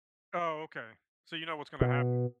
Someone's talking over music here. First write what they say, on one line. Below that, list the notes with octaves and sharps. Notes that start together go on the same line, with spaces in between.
Oh, okay. So you know what's gonna happen?
B2